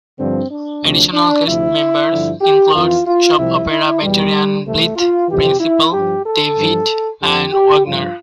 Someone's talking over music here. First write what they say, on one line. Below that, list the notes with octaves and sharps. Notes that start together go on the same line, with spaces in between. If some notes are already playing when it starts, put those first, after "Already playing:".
Additional cast members included soap opera veterans Bleeth, Principal, David, and Wagner.
G2 D3 F3 C4
D4
D2 C3 F3
D4
D2 C3 F3 E4
G2 D3 F3
G4
F2 E3 F4
F4
C2 C3 F3 E4
E4
E2 B2 G3
C2 C3 E3 A3
F4
F2 C3 E3 G4
E4
G2 F3 G4
A4
G2 F3
F2 D3 F3 G4
G4
G2 D3 F3 F4